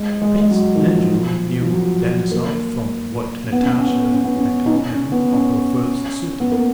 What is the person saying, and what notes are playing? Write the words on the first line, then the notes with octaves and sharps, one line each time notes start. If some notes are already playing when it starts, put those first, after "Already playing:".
Prince Andrew knew Denisov from what Natasha had told him of her first suitor.
Already playing: G#3
G#3
G#3
F#3
D#3
F3
F3
F#3
A#3
B3
C#4
B3
C#4
B3
C#4
B3
C#4
D#4
C#4
C#4
B3
C#4
B3
A#3